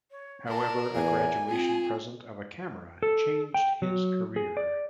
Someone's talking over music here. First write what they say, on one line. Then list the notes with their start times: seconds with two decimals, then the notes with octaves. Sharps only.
However, a graduation present of a camera changed his career.
0.10 C#5
0.47 D4 A#4 A5
0.95 E2 G#5
1.48 C4 F4 G#4
3.03 A4
3.54 G5
3.82 F#3
4.36 G#4
4.57 D5